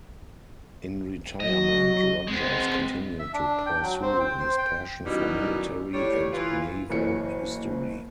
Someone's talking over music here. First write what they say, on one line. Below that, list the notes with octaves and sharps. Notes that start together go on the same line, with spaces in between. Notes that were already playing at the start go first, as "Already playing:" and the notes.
In retirement, Rodgers continued to pursue his passion for military and naval history.
F#3 D#5
G#3 B3 C4
E5
D4
G5
F#3
C4
G5
C5
G5
F#2 B2 D#3 G3 D#4 E4
A2 G3 G4 C#5
E3 F4 B4
F#1 E3 C#5 C#7